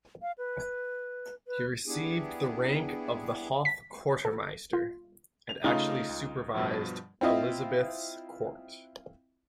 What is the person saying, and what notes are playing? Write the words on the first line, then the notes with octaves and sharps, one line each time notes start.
He received the rank of the hof-quartermeister; and actually supervised Elizabeth's court.
F5
B4
B4
B3 D4 E4 G4 G#4
B6
A4
F4
F7
C#3 A3 D#4 F4
C#2
G2 B2 F3
C4 E4 F4 D#5